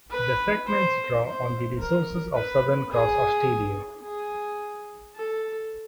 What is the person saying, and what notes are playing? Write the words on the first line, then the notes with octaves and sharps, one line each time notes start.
The segments draw on the resources of Southern Cross Austereo.
B4
C5
C5
A#4
B4
G#4
G#4
A4